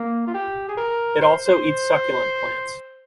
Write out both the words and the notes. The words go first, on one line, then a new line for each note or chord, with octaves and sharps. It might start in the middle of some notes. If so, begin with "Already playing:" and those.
It also eats succulent plants.
Already playing: A#3
F4
G4
G#4
A#4
C5
C5